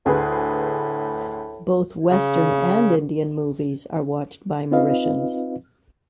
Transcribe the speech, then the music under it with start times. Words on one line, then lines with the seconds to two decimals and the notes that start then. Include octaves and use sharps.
Both Western and Indian movies are watched by Mauritians.
0.06 D2 A2 G#4 B4
2.10 C#3
4.71 C4 D#4 F4 B4 D#5 F5